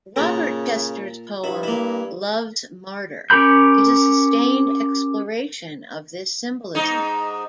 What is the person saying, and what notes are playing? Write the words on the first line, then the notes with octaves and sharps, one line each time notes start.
Robert Chester's poem "Love's Martyr" is a sustained exploration of this symbolism.
A#2 C#3 A4 A#4
G2 E4
A#3 E4
C#4 G4 A#4 B5 G6
G#2 D#4